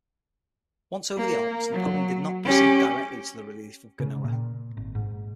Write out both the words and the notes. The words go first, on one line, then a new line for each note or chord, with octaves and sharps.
Once over the Alps, Napoleon did not proceed directly to the relief of Genoa.
A#3
F#3
C#4 G4
C#3
A#2
G#1
G#2